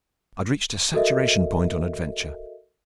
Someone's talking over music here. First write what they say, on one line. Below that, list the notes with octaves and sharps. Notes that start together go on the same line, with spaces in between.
I'd reached a saturation point on adventure.
F#4 A4 A#4 D#5 E5